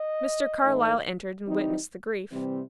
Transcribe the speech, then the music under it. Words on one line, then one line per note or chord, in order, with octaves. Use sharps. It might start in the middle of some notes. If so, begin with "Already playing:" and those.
Mr. Carlyle entered and witnessed the grief.
Already playing: D#5
A2 E3 A3 D#4
E3 G3 C4 D#4
C3 E3 G3 C4